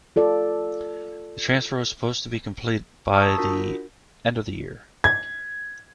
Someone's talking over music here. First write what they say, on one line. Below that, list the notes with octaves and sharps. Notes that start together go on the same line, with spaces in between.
The transfer was supposed to be complete by the end of the year.
F4 A4 D5
A5 A#5 C#6 D#6 E6
D4 F4 F#4 A#4
G#6